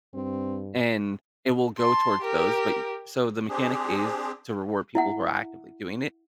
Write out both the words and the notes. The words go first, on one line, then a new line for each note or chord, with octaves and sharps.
and it will go towards those, but y so, the mechanic is to reward people who are actively doing it.
G2 C4
A5 C6
G4 A#4
C4 D4 G4 G#4
E4 E5 F#5